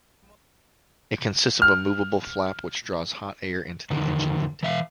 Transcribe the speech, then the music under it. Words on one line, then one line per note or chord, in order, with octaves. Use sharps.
It consists of a moveable flap which draws hot air into the engine intake.
F6
E2 D3 D#3
E3 E5 F5